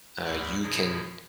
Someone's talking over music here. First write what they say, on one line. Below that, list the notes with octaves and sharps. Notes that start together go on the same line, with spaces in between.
uh, you can,
D2 G#2 A3 A#4 D5 B5
F#2 B2 F3 F#3 E4 G#4